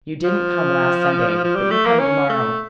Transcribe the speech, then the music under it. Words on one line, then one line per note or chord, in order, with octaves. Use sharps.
You didn't come last Sunday--but you come to-morrow.
F3
F3
G3
A3
A#3
C#4
A3